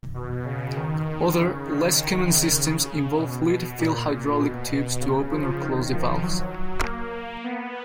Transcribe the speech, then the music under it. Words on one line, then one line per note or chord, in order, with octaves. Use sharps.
Other, less-common systems involve fluid-filled hydraulic tubes to open or close the valves.
B2
C#3
D#3
D#3
C#3
D#3
C#3
C#3
C#3
B2
A#2
A#2
B2
C#3
F3
D#3
F3
F#3
F#3
A#3
B3